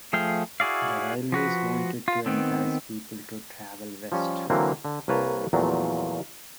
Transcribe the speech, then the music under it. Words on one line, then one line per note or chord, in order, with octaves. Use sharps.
The railways wanted to entice people to travel west.
F3 A3 G#4 F5 G5
E4 F#4 G#4 D5 F5
F3 F#4 B4
F4
D#3 B3 C4
F3 G3 C#4
D3 E3 F#3 A#3 C4
D3
C2 A#3 B4 C#5 A5
E2 A#2 F3 F#3 A3